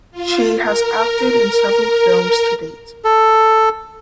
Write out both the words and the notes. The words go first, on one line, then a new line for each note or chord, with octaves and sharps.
She has acted in several films to date.
F4
A#4
A4